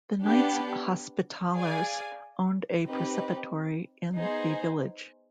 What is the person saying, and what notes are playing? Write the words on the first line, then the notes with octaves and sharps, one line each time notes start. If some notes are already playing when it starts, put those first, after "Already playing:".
The Knights Hospitallers owned a preceptory in the village.
B3 D4 G4
G#4 D5 F5 G#5
C4 D#4 G4 B4
B3 D#4 G#4 C5